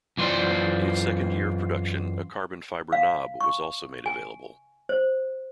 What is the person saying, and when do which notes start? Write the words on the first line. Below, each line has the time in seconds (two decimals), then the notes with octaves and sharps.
In its second year of production, a carbon fibre knob was also made available.
0.17 F#2 E3 F4 C5 D5 C6
2.92 F5
3.41 C#6
4.06 G#5
4.89 C5